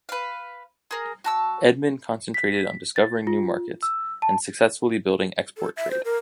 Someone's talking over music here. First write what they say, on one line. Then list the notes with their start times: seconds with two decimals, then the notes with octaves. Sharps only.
Edmond concentrated on discovering new markets and successfully building export trade.
0.09 B4 F5
0.91 G#4 A#4
1.24 F#4 A5 E6
2.34 B6
2.96 A6
3.27 F4
3.83 E6
4.22 A5
5.57 A4
5.77 E5
5.91 C5
6.05 A#4